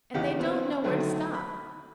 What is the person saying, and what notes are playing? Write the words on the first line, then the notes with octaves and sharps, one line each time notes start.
And they don't know where to stop.
E2 C#3 D#4 G4 F#5
E3 B3 C4
D3 D#3 F#3 A3
B5